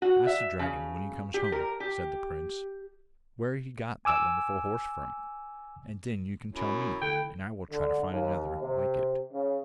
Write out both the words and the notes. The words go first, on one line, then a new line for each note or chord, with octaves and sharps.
'Ask the dragon when he comes home,' said the prince, 'where he got that wonderful horse from, and then you can tell me, and I will try to find another like it.'
F#4
E5
C#3
G4
A#4
G4
G#5 D6 E6
F#2 E4
D3 A4 G5
D3
D#2
C3
C#3